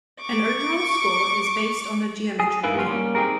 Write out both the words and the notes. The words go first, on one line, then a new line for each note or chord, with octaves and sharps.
An overall score is based on a geometric mean.
C#6 D6
G#4
G2 D#4 E4 A#4 B4 F5
F3 B3 C#4 F4
G3 A#3 C#4
C4 D#4 G4 G#4 A#4